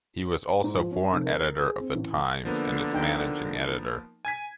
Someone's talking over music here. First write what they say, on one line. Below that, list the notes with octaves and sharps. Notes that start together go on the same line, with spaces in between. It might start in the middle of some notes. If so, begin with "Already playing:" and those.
He was also foreign editor of the Times, and its managing editor.
G#2
F3
C#4
F1
A#4
G#4
C4
A1
D3 F3 A#3 B3
D#4 G5
G#5 G#6 B6